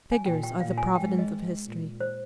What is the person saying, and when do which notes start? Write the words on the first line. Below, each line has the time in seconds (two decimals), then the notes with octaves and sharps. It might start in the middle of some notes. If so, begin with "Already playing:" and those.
Figures are the providence of history.
0.12 G#5
0.26 A#2 G5
0.43 G5
0.60 A#2 F5
0.78 G#5
0.95 G#2 G5
1.19 D#5
1.66 A#2
2.00 C5